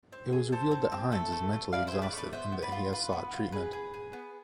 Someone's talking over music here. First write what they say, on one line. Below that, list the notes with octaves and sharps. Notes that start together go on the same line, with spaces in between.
It was revealed that Hinds is "mentally exhausted" and that he has sought treatment.
C4
G#4
C4 A4 C5
C4
C4
A3 A4
A3
A3
E4 D5 F5
G#4 C5 E5
B4 D5
A3 B4 D5
B3 C5 E5
B3
B4 D5
F4
F4 B4
B3
F4
G#4 B4
G#4
G#4
B3